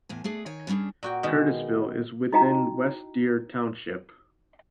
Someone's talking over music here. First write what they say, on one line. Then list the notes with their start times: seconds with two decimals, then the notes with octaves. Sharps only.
Curtisville is within West Deer Township.
0.09 E2 A2 G#5
0.24 A3 D4 G#4
0.46 D#3 C#5 G#5
0.67 D3 G3 C#4 D4 G#4
1.03 A#2 F#4 G5
1.23 B2 D#3 G#3
2.33 D#4 E4 F#4 D#5 G5 A#5